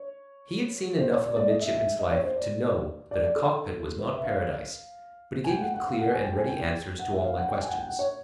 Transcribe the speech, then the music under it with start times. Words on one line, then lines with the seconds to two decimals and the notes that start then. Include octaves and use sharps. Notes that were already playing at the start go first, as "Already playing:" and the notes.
He had seen enough of a midshipman's life, to know that a cockpit was not paradise; but he gave me clear and ready answers to all my questions.
Already playing: C#5
0.99 C5
1.12 C#5
1.24 D5
1.36 D5
1.49 D#5
1.61 E5
1.74 E5
1.99 D#5
2.11 C#5
2.24 C5
2.36 D5
3.11 D5
3.24 D5
3.36 A4
3.99 B4
4.13 E5
4.23 F5
5.44 G#5
5.49 G5
5.61 F#5
5.74 F#5
5.87 F5
5.99 F#5
6.11 G#5
6.24 G5
6.37 G#5
6.49 G5
6.99 F#5
7.11 E5
7.24 F5
7.37 F#5
7.49 G5
7.61 G#5
7.68 F#5
7.74 G5
7.87 F#5
7.99 C#5